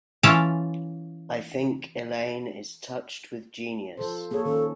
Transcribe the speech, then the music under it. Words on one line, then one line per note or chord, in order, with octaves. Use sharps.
I think Elaine is touched with genius.
E3 C#4 F4 C#5 A5
F3 A4 C5
A#3 G#4 A4 C#5
D#3 C#4 A4